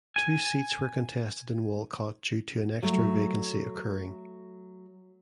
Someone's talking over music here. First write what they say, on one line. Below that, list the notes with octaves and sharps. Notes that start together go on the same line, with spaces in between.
Two seats were contested in Walcot due to an extra vacancy occurring.
G#5
F#3 A3